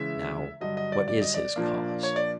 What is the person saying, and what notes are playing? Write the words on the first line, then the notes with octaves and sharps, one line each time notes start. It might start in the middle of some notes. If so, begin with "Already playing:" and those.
Now, what is his cause?
Already playing: C#3 E3 G#3 E5
G2 D3 F#3 D#5
D#5
D5
D5
D#5
D5
A#2 F3 A#3 D4
C#5
D5